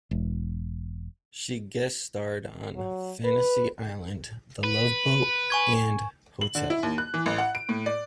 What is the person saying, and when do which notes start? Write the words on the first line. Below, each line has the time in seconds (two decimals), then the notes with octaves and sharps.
She guest starred on "Fantasy Island", "The Love Boat" and "Hotel".
0.11 E1
2.76 F#3
3.24 B4
4.64 B4
5.50 G#5 C#6 G#6
6.41 F#7
6.55 D3
6.70 E4
6.83 D#2
6.98 F#6
7.14 E3
7.26 A1
7.38 F#5
7.55 D7
7.69 A2
7.86 D5